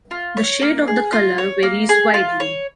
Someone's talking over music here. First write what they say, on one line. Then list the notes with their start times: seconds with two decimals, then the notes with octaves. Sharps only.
The shade of the color varies widely.
0.11 F4
0.37 C#5
0.62 A#3
0.88 G#4
1.12 F4
1.38 C#5
1.63 A#3
1.89 G#4
2.14 F4
2.40 C#5